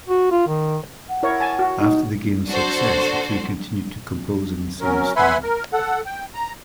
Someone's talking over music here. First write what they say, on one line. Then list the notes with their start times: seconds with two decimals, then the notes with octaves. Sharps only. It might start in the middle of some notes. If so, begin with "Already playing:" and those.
After the game's success, the two continued to compose in the same style.
0.09 F#4
0.32 F4
0.48 D#3
1.09 F#5
1.23 E4 A#4 C#5
1.40 G#5 A5
1.59 F#4
1.80 D#4
2.48 D4 F#4 A4 C5
4.81 F#3 C#4 A#4
5.16 B4 E5 F#5 G#5 B5 C6
5.43 A#4
5.73 A4 F#5
6.06 G5
6.34 A#5